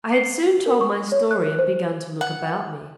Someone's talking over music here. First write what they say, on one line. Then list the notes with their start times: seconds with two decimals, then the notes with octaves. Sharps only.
I had soon told my story and began to look about me.
0.12 C7
0.66 A#4
0.81 C#6
1.12 C#5
1.31 F#6
1.59 C5
2.21 F#5